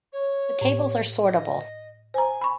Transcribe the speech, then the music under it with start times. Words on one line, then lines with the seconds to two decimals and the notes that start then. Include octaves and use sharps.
The tables are sortable.
0.12 C#5
0.61 A2
1.26 D#5
2.14 C5 G#5 A#5
2.41 B5 C#6